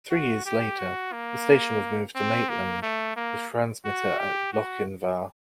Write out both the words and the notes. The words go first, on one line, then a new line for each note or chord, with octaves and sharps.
Three years later, the station was moved to Maitland, with transmitter at Lochinvar.
F#4
G4
F#4
A#3
C4
A#3
A3
A#3
F#4
G4
F#4